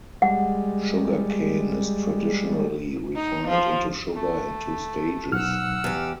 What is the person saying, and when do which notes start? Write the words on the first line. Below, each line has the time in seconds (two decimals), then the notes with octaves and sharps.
Sugarcane is traditionally refined into sugar in two stages.
0.22 G3 G#3 F#5
3.16 D#4
3.48 F3
4.14 A3
5.32 B1 F#5 E6 F6
5.84 E2 G4